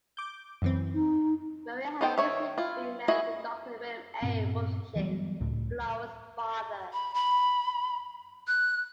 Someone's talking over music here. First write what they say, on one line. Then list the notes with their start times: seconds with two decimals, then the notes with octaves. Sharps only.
Maria had previously been married to Doctor William A. Wovschin, Flora's father.
0.17 D6 G6
0.62 F#2 E3 C4
0.93 D#4
2.01 B3 D#4 A4 C5 G5
2.18 D#3 C#5 E5
2.58 E4 F4
3.08 E4 F#4 G#4 D#5 E5
4.22 G2 A#2 B3 C4
4.96 E3 F#3 G3 B3
5.40 C#2 A2
6.93 B5
7.14 B5
8.47 F#6